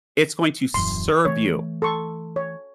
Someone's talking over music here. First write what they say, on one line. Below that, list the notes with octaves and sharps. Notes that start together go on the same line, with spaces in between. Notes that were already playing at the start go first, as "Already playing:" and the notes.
it's going to serve you,
D#1 F#2 E3 C6
E3 A3 C#5
A4 C6 C#6
C#5